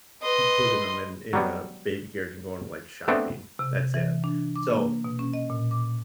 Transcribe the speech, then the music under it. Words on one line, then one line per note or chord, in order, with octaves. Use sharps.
putting ‘em in in a baby carriage and going to, like, shopping. That's it. So,
B4 D#5 C6
F#3 G3 B3
A3 B3 C4 D4
C3
E3
D4
D6
A#3
B2
C#4
D#5
A#2
D6